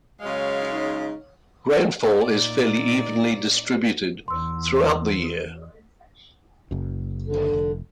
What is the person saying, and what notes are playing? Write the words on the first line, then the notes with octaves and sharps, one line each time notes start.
Rainfall is fairly evenly distributed throughout the year.
C#3 F#3 G#3 C#5 F5
D#4
A#2 D#4 D5
E2 C6 E6
F#1 F#2
D3
F1